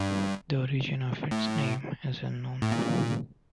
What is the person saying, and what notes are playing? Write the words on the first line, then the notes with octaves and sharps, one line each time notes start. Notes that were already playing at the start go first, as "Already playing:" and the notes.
The origin of its name is unknown.
Already playing: G2
A2
A2
A#2